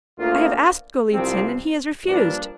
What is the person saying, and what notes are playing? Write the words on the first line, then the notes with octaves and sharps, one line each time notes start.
I have asked Golitsyn and he has refused.
D2 D3 A#3 F4
C2 C3 F3 C4
G2 F3 A#3 D4